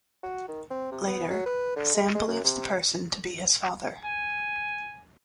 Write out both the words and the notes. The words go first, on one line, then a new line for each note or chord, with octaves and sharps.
Later, Sam believes the person to be his father.
F#4
D#3
C4
C3
B3
F#3
B4
D3
G#3
G#3
F#2
C3
G#5